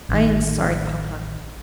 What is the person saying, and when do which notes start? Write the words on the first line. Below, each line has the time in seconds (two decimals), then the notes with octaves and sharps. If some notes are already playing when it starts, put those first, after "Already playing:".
'I am sorry, papa.
0.09 A1 D#3